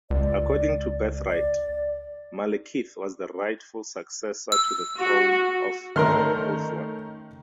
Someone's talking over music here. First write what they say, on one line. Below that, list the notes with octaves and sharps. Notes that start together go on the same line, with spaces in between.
According to birthright, Malekith was the rightful successor to the throne of Ulthuan.
C#2 D5
D5
E6
F#4
D#3 A3 C#4 A#4 C6 F6